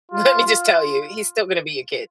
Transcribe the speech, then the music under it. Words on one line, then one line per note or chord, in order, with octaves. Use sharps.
Let me just tell you, he's still gonna be your kid.
F4
F4